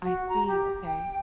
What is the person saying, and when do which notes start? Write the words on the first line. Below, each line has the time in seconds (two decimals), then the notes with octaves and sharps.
I see, okay.
0.03 F#4
0.29 A#5
0.48 G4
0.87 G5